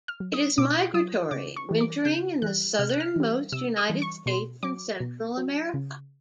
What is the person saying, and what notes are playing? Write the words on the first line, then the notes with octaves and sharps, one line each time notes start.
It is migratory, wintering in the southernmost United States and Central America.
F6
F#3
D#6
B2 D6
F#3 D#6
C#3 D6
C#6
E3 G3
D6
C#3 G6
E3 G3 F#6
C3 F6
F#6
F6
E3 G3
C3 E6
D#6
E3 G3
C#6
B2 C6
F#3 D6
B2
F#3
C#3